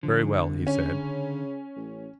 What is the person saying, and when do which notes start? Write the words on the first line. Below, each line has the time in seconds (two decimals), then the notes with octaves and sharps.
"Very well," he said.
0.03 D3 F3
0.47 C2
0.67 C#3 C#4
1.76 A1